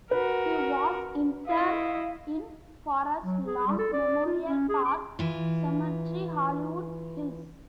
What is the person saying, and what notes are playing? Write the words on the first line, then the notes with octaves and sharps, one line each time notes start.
He was interred in Forest Lawn Memorial Park Cemetery, Hollywood Hills.
F#4 A#4 B4
E4 D#5 F5
F#3
G#4
G3
A4
D5
F4
C#4
G#4
D6
E3 F4